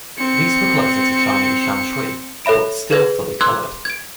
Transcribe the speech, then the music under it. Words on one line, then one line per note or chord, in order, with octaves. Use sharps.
These were closer to Chinese shan shui, but still fully coloured.
C4 C#7
A4 C#5 E5 B5 D7
G#4 B4 G#6 A#6
C6 D6 E6 F#6 G#6
G#6 D7